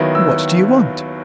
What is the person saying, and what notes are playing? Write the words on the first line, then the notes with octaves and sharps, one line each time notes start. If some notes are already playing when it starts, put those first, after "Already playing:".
"What do you want?"
Already playing: D#2 D#3 F#3 B3 E4
E6